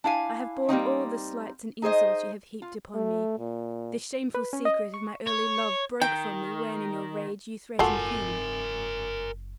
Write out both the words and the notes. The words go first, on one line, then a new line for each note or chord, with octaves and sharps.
I have borne all the slights and insults you have heaped upon me. The shameful secret of my early love broke from me when in your rage, you threatened him.
D4 E4 F5 G#5
G3 A#3 C4 D#4
D#4 G#4 C5 D#5
F4
A3
A#2
B4
C#4
D#5
C#6
C#5
D#3 G5
F#1 F4 F#4 A4 A#4 G#5